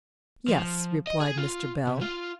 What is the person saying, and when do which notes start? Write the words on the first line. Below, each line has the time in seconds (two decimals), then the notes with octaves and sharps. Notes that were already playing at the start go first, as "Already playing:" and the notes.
'Yes,' replied Mr. Bell.
0.48 F3
1.07 D#5
1.20 G#4
1.38 F4
1.87 C3
2.01 F4